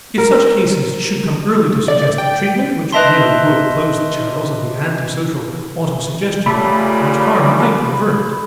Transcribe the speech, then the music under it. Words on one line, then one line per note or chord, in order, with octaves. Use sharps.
If such cases should come early to suggestive treatment which really would close the channels of the antisocial autosuggestion, much harm might be averted.
A#4
D5
G5
B4 C5 D#5 E5 A5 C6
A#2 C#3 G3 A3 B5